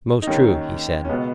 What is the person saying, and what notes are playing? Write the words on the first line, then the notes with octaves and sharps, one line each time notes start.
Most true, he said.
D#4
D#2 D#3 C#4
C#4
C#2 B2 B3